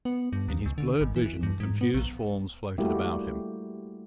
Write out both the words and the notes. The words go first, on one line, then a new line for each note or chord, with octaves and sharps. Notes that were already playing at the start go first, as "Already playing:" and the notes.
In his blurred vision confused forms floated about him.
B3
G2
D#2
C#2
D3
G#1
E3
G2
G#2
B3
A#1
G3 A3 A#3 E4 F#4 G4